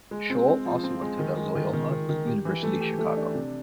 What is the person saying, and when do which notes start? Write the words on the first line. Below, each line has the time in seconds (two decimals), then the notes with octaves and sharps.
Scholl also went to the Loyola University Chicago.
0.11 G#3
0.30 C4
0.48 C4
0.65 F3
0.83 C4
1.01 G#3
1.19 D#3
1.37 G#3
1.55 D#3
1.73 D#3
1.91 D#3
2.09 D#3
2.27 G4
2.45 E3
2.63 A3
2.80 G4
2.99 A3
3.17 D4
3.35 C3